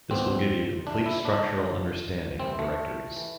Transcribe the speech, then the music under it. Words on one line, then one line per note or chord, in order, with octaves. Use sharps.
This will give you complete structural understanding of directories.
E2 B2 C4
G2 E3 D4
E4
D4
D2 D3 F3
C2 C3 E3 C4
A3
E3